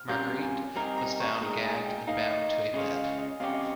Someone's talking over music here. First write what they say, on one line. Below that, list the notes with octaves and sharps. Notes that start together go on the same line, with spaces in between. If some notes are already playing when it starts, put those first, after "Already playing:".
Marguerite was found gagged and bound to a bed.
Already playing: F6
C3 G3 C#4 F4 A#4 G6
G#5
G3 C4 D#4 A#4 G#5
A#5
C#6
A#2 G#3 D#4 A#4
G#5
G5
D#3 A#3 D#4 F5
D#5
D#5
C#3 G#3 C#4 F4 D#5
F5
D#5
C3 G3 C#4 G4 F5
D#5